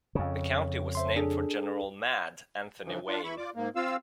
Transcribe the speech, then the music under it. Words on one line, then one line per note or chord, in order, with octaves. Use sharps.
The county was named for General "Mad" Anthony Wayne.
F2 C#3
C5 E5 C6
D4 G#4 A4
G2 C#3 E3 F3
D4 F4
E3 E4 B5 C#6
F4 D5 D6
G#2 A#3
C4 F4 F5 E6